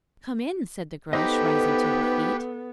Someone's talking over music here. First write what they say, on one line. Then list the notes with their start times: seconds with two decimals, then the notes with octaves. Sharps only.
'Come in,' said the Groac'h, rising to her feet.
1.13 A3 B3 D#4 G4 B4 C5 D#5